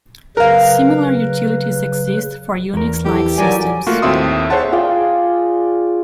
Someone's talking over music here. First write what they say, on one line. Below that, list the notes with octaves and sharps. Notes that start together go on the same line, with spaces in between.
Similar utilities exist for Unix-like systems.
C#3 F#3 A#4 B4 F5
E2 A#4
E3 E4 G4 A4
F#3 G3 F4 A#4 D5 G#5
A3 A#3 F4 F#4
D#2 A2 C4 E5 C6 D#6
G#4 C5 C#5 E5 F#5 A5
F4 G#4 D5 G5